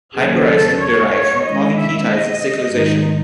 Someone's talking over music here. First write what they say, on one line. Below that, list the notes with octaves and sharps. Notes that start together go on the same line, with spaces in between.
Hypericin derives from polyketides cyclisation.
D#2 C#3 F#3 C#4 G#4
A4
C#5
C#5
D#3 G#3 C#4 E4 D#5
E5
D#5
G#2 D#3 G#3 D#4